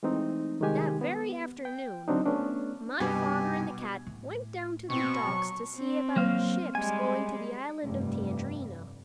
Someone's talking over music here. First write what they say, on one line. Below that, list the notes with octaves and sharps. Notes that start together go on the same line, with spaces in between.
That very afternoon my father and the cat went down to the docks to see about ships going to the Island of Tangerina.
E3 G#3 A3 C4 D#4
C2 D#3 G3 G#3 G4 G#5
B3
G5
D3 F#3 C4 D4 D#4
A3 B3 C#4 D4
C2 G2 B2 G4 G#5
A2
B2 C4 C#6
F#3
C4
F#3 A#3 F5
G3 G#3 G#5
F1 G2